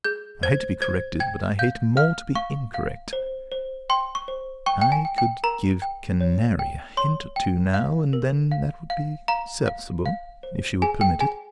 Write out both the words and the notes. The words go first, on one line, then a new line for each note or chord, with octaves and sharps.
I hate to be corrected; but I hate more to be incorrect. I could give Canary a hint or two now and then that would be serviceable, if she would permit it.
G#4 G6
C5 G#6
C5 G#6
G5 G#6
F5 G6
F5 F6
F5 C#6
F5
C5
C5
G5 C6
C#6
C5
G5 C#6
G5
G#5
G5
G5
A#4 A#5
G5
C#5
G5
C#5 C6
G5
F5
A#4
F5
F5
F5 A#5
F5
F5
C5
G#4 G#5
G5
G#4 G#5